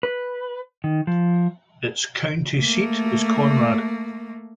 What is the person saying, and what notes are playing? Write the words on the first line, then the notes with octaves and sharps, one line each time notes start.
Its county seat is Conrad.
B4
D#3
F3
A3 A#3